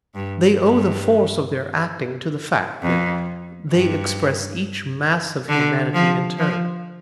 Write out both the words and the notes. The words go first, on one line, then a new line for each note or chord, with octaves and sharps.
They owe the force of their acting to the fact that they express each mass of humanity in turn.
G2
G2
F2
G2
D3
F3
F3